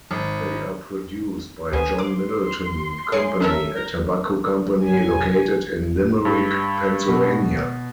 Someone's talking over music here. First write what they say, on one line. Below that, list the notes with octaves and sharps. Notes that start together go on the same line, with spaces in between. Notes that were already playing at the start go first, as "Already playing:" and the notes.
They are produced by John Middleton Company, a tobacco company located in Limerick, Pennsylvania.
G#1
D2 B2 A4 B4 C5 F5 G#5
D#4 C5 C6 D6
G#4 C#5 E5 G#5 C7
C#4 A4 A#4 E5 F5
A#4
G1 F#3 G#5
F1
G2
B2